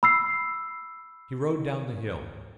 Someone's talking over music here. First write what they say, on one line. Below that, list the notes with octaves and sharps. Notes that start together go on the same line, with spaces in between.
He rode down the hill.
B5 E6 C7